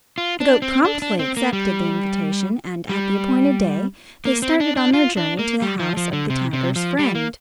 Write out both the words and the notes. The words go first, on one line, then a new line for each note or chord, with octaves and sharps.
The goat promptly accepted the invitation and at the appointed day they started on their journey to the house of the tiger's friend.
F4
D4
C4
D4
D4
C4
A#3
G3
G3
A#3
C4
D4
D4
F4
D4
A#3
G3
F3
F3
D3
C3
C3
F3
G3
A#3